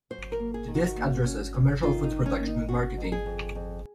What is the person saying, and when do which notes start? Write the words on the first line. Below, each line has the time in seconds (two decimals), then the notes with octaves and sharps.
The disc addresses commercial food production and marketing.
0.10 F#2 C5
0.32 A#4
0.40 A#3
0.54 G#4
0.68 D#3
0.75 F#4
0.97 A#3
1.25 C#4
1.54 C#4
1.83 D#3 F4
2.04 D#4
2.11 D#3
2.26 C#4
2.40 A#3
2.47 D#4
2.69 C#4 F#4
2.97 F2
3.04 A#4
3.12 G#4
3.26 F2
3.55 F2